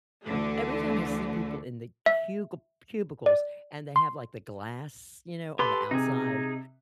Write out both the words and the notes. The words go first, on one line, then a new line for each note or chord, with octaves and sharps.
every time I see people in the cugil cubicles and they have, like, the glass, you know, on the outside,
D2 D3 E3 A3
E5
D5
C6
G4 A4 B4 C6
C3 D#4 G#4